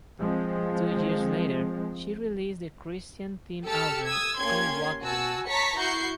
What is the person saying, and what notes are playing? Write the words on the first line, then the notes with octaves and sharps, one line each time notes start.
Two years later she released the Christian themed album "Come Walk with Me".
F3 G#3 C4
G4 A4 A5 E6 F6 C#7
D#6 E6 G#6
A#3 C#4 G4 C6 G#6
F#4 G#5 A5 E6
C#5 A5 A#5 C#6 B6 C#7
E4 F#4 C#6 G6 C7